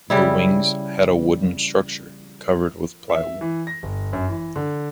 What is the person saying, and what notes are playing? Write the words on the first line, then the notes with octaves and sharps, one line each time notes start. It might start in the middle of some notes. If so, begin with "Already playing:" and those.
The wings had a wooden structure, covered with plywood.
C#3 G3 E4
E5
E3
A#6
G1
F#2
E3
D3